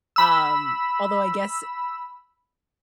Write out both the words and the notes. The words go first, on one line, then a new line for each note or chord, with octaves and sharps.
Um, although I guess
B5 E6